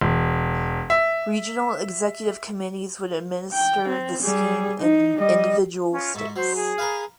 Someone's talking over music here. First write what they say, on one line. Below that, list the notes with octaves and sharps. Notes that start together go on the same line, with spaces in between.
Regional executive committees would administer the scheme in individual states.
E1
E5
G5
C4
G3 G#4
D#4
G3 D#5
C#4 F4
G#2 E5 C#6
F#3 C5
G#4
A#4 B4 F5